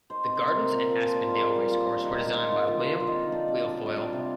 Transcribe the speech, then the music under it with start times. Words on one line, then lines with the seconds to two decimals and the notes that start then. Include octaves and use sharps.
The gardens at Aspendale Racecourse were designed by William Guilfoyle.
0.10 D#4 C5
0.26 C4
0.35 C5
0.43 C3 A#4
0.58 C4
0.74 A#2
0.90 F3
1.06 F3
1.15 D5
1.23 A#2 C5
1.30 A#4
1.38 A#3 G#4
1.55 G3 G4
1.71 A#3 F4
1.87 D4
2.03 D#3
2.19 G#3 G4
2.35 D#4 F4
2.52 D#3 D#4
2.68 D3 F4
2.84 D3
2.99 D3 F4
3.07 D#4
3.16 C4
3.23 D#4
3.32 D4 D5
3.48 D4
3.64 D4 D#5
3.81 G3 D#5
3.96 D4 F5
4.13 C3